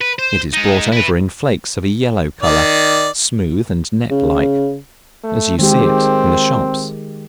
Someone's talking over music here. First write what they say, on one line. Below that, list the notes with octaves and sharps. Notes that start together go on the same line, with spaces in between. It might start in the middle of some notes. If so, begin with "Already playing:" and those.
It is brought over in flakes of a yellow color, smooth and net-like, as you see it in the shops.
B4
C5
G#3 D#4
E4 B4
D#3 D5
C#3
A3
D#3 G#3 C4 G4